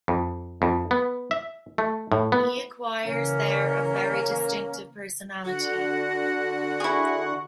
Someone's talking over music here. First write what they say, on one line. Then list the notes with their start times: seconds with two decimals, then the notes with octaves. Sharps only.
He acquires there a very distinctive personality.
0.08 F2
0.62 F2
0.91 B3
1.31 E5
1.78 A3
2.12 A2
2.32 B3
3.04 C#3 E3 A#3 C#4
5.45 D3 F#4 F#5
6.80 E4 G#4 C#6